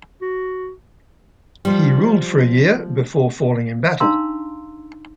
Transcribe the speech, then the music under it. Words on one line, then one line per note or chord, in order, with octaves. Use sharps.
He ruled for a year, before falling in battle.
F#4
F3 G3
D4 D#4 F5 A#5 C6 E6